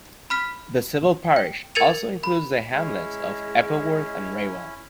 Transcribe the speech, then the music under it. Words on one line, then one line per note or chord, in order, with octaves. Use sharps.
The civil parish also includes the hamlets of Eppleworth and Raywell.
B5 F6 B6
G5
A#4 G#6 A6 C#7 D#7 F7
B5
G#3 C#4 E4